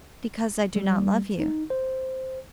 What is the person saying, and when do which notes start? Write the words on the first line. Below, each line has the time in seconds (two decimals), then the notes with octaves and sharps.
"Because I do not love you."
0.76 G3
1.40 D#4
1.70 C5